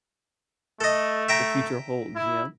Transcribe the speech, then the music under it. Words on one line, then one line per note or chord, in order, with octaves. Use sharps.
the future holds, you know?
A3 A4 D#5
E5 G5 A#5
E4